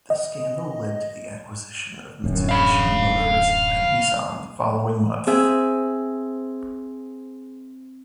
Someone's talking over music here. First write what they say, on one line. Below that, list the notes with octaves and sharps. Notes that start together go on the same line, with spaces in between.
The scandal led to the acquisition of Mitsubishi Motors by Nissan the following month.
D#5
D1 F#2
F5 B5
C4 G#4 E5